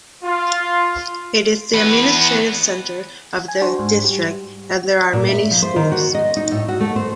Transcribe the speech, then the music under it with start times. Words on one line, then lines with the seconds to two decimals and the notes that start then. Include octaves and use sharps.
It is the administrative centre of the district and there are many schools.
0.22 F4
1.74 E2 B4
3.48 G#5
3.61 D4 F#4 C5
3.79 G#2
4.05 G3
5.13 A#2
5.29 E5
5.51 F3
5.62 C5
5.76 D#3
5.92 F#4
6.15 D#5
6.37 D#4
6.51 A2
6.68 F#4
6.80 A3
6.96 C5